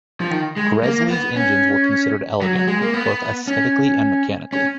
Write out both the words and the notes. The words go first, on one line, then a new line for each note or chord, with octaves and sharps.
Gresley's engines were considered elegant, both aesthetically and mechanically.
F3
D#3
G#3
A#3
B3
C#4
F#3
F#3
G#3
A#3
B3
C#4
C#4